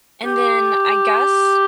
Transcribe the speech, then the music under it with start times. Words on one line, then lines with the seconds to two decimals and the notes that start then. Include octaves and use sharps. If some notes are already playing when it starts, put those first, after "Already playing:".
and then I guess
0.25 G4